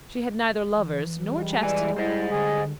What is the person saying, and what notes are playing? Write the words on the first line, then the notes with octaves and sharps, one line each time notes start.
She had neither lovers nor chastity.
E3
G3 G#3
E3 D5 G#5
E4 C5 D#5
D3 G#4